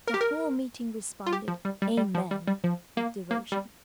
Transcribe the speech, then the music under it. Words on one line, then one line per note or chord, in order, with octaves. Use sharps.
The whole meeting responded "Amen!" with devotion.
A#4
G4
A#4
F4
G4
F3
G3
G3
G3
F3
G3
G3
F3
A#3
A#3
G3